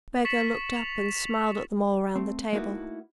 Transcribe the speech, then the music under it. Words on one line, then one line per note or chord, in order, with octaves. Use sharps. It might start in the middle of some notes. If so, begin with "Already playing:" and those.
Burgo looked up and smiled at them all round the table.
C#6 A6 B6 C#7 E7 F#7
F7
A3 C4
A3 A#3 D#4 E4 F#4 B4